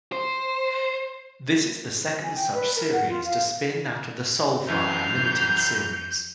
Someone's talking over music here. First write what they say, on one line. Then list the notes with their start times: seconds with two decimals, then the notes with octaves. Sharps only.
This is the second such series to spin out of the Soulfire limited series.
0.12 C5
2.23 G#5
2.36 G5
2.53 B4
2.76 A#4
2.92 F#5
3.10 F4
3.25 F5
4.68 F#2 E3 G6 C7 F7